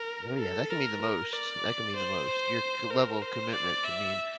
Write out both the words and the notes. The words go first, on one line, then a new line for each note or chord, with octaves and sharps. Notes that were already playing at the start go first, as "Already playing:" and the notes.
Oh, yeah, that can mean the most, that can mean the most. Your co level of commitment can mean
Already playing: A#4
A4
A#4
A#4
D5
C5
A#4
C5
D5
E5